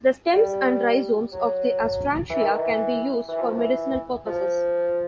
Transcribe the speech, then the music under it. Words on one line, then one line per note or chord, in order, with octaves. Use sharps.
The stems and rhizomes of the Astrantia can be used for medicinal purposes.
G3
F#3
E3
D#3
E3
E3
F3
E3
F3